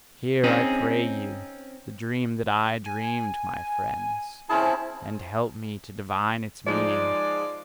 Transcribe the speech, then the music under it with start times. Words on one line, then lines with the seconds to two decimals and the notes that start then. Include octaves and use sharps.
Hear, I pray you, the dream that I dreamed, my friends, and help me to divine its meaning!
0.44 C4 C#4 D#4 G#4
2.86 G#5
4.49 C4 C#4 E4 G#4 A5
6.67 F3 G#3 D#4 D5